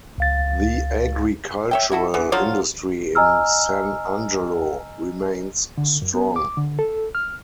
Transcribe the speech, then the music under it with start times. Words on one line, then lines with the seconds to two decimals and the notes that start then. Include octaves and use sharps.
The agricultural industry in San Angelo remains strong.
0.18 C#2 F5 A6
1.71 C#5 E5 G5
1.92 E4 F#4 A4
2.14 D3 E3 B3
2.32 D3 F3 F#3 F4
3.15 D#5 G#5 A#5 E6 F6
5.78 D3
6.02 F#2
6.14 B3
6.36 D6
6.57 D3
6.79 A4
7.15 F6